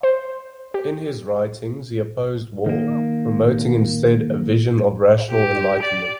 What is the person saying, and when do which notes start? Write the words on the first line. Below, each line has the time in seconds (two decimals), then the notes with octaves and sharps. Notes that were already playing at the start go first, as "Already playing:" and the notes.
In his writings he opposed war, promoting instead a vision of rational enlightenment.
0.03 C5
0.74 G4
2.66 D#3 A#3
5.31 G4
5.83 D5